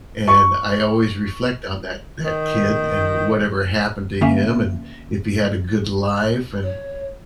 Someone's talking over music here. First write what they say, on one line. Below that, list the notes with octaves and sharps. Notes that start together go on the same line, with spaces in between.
And I always reflect on that that kid and whatever happened to him and if he had a good life and
C#6
D#3
D3 A#3 C#4 E5 F5
C#5